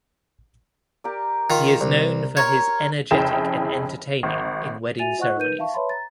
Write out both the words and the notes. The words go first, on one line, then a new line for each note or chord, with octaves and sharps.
He is known for his energetic and entertaining in wedding ceremonies.
G4 A#4 D5
D#3 F4
C2
A#4 C#5 C6
F1 C#3 E4 G#4 G5 E7
G#1
F#4 E5 G#5 A6 D#7 F7
F4 C5 D#5 F#5 C#6 F#6
D#4 A#4 B4 G6 D#7
E5 F5 A5 C#6
B4 C#5 E5 A5 B5 C6
A#5 A6